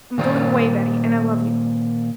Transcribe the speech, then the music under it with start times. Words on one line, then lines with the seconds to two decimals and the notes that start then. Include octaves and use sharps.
I'm going away, Betty, and I love you.
0.18 A#2 D#3 C5 D5